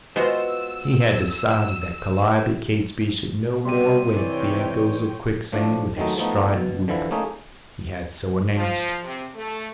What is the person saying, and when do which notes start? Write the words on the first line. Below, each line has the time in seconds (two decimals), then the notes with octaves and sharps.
He had decided that Calliope Catesby should no more wake the echoes of Quicksand with his strident whoop. He had so announced.
0.16 G#3 B3 F4 F#4 C5 E5 E6
3.65 C3 G3 G4 C6 D#7
4.15 E3 C#5 D5 G5
5.52 A2 F3 A3 D4
5.97 D#3 F#3 G#3 A3 D#4
6.18 F3 A3 B3 D#4
6.53 B2
6.88 D3 E3 F3 E4
7.11 A3 A#3 C#4 D#4 G#4
8.56 F3
9.04 C3
9.35 A3